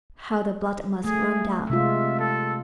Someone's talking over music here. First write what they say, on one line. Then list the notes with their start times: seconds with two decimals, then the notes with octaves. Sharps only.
How the blood must run down.
1.04 A3 G#4
1.70 C3 G#3 F4 E5
2.19 A4